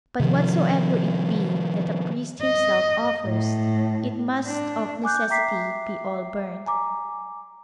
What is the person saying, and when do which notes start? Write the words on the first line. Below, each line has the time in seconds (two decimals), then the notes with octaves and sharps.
But whatsoever it be that a priest himself offers, it must of necessity be all burnt.
0.20 C3 D#3 F3
2.41 D#5
3.25 A2
4.46 D4
5.04 G#5 D6 F#6 G6
5.29 E5 G5 A#5 D6 B6 C7
6.66 G#5 A#5 D6